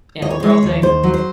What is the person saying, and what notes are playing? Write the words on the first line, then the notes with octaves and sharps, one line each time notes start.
Animal Crossing?
D#2 D#5
C#5
G#3 C5
C#5
D#2
D#2 C5
F#3
C5